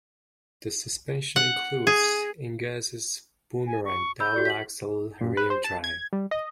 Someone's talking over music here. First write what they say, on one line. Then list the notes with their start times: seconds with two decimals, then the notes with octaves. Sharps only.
The suspension includes Engesa's Boomerang double-axle rear drive.
1.36 F#5
1.87 G#4
3.67 G#5
3.85 C#6
4.20 B5 E6 G6
4.34 F#4 G4 D5
4.45 B6 F#7
5.21 A#2
5.37 B4
5.50 C5
5.64 A5
5.84 G#6
6.13 G3
6.31 D#5